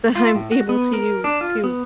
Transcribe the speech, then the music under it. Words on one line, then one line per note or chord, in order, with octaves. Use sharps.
that I'm able to use to
F4
A2
F#4
B3
A#4
D4
F4
B3